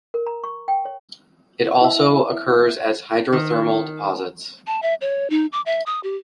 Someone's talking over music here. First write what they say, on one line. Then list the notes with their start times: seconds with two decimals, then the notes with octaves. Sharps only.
It also occurs as hydrothermal deposits.
0.14 A#4
0.27 A#5
0.44 C#6
0.68 G5
0.85 C#5
1.81 E4 E5
3.32 D#3
4.67 A5
4.82 E5
5.01 C#5
5.30 D#4
5.52 D6
5.66 E5
5.86 D#6
6.03 G4